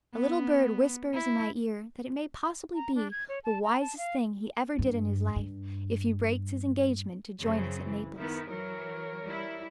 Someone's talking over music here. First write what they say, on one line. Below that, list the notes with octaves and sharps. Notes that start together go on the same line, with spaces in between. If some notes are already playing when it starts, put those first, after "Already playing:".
A little bird whispers in my ear that it may possibly be the wisest thing he ever did in his life if he breaks his engagement to join us at Naples.
B3
E4
A#5
D4
G#6
C#5
A5
A#5
A5
F5
G2
G2
F#2 C#3 C4
E3
D#3 B3 E4
E3 F#3 A#4 C#5
G3 E4